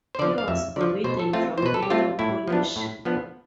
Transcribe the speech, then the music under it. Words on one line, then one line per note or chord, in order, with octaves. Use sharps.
He was forbidden from learning Polish.
C5
D3 F3 D5
F5
F2 E5
D3 F3 D5
B2 C5
A4
A3 C4 F4
C5
B2 B4
A4
G4
A3 C4 F4
A2 E4
F3 B3 D4
A2
F3 B3 D4